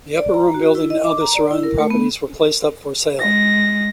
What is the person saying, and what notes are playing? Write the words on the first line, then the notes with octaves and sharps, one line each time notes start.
The Upper Room building and other surrounding properties were placed up for sale.
D5
A#5
F#4
E4
D#5
D6
A#5
D5
E4
A#4
A3
B3
G#3 A#6